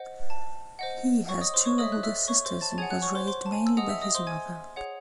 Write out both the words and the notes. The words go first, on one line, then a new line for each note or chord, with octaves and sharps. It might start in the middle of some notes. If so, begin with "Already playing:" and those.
He has two older sisters, and was raised mainly by his mother.
Already playing: C5 D#5 F#5
A5
C5 D#5 F#5
C#5 C#6
D#5 D#6
C5 C6
C#5 C#6
A4 C#5 D#5 E5 D#6
F#6
E5 E6
C#5 C#6
C5 C6
A5 A6
A6
G#4 C#5 F#5 G#5 G#6
F#5 F#6
C#5 C#6
C5 C6
C5 C6
A5
G#5
E6
G#4 D#5 F#5 D#6
E5 E6
D#5 D#6
C5 C6
G#5 G#6
G#4 C#5 F#5